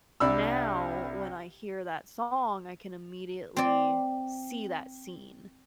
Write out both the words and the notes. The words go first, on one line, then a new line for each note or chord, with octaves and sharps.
now when I hear that song, I can immediately see that scene
C2 D4 B5 E6
C4 D5